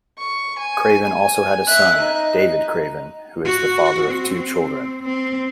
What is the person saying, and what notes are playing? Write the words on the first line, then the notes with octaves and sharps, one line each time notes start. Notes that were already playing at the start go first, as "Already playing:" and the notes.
Craven also had a son, David Craven, who is the father of two children.
C#6
G#5
G#5
E5 F#6
D#4
F#4
C4
C4